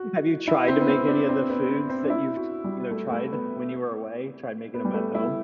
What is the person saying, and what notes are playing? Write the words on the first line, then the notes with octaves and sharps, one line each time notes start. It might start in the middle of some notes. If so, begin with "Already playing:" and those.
Have you tried to make any of the foods that you've t you know, tried when you were away, tried making 'em at home?
Already playing: F#4
E4
C4
B3
C4
D4
C4
B3
B3
C4
D4
E4
F#4
G3
A3
A3
B3
B3
G3
A3
E4